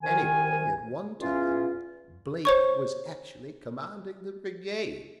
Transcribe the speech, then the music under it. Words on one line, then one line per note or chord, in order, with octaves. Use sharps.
Anyway, at one time Blake was actually commanding the brigade.
C2 D#3 G#5
E2 C#4 F4
C5 C#5 C#6